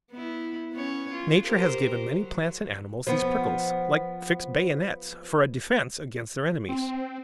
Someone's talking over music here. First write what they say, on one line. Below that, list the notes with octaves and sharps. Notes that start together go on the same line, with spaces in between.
Nature has given many plants and animals these prickles, like fixed bayonets, for a defence against their enemies.
B3 E4
B3 C#4 C#5
F4
G4 A#4 C5
F#3
F3 B3
C4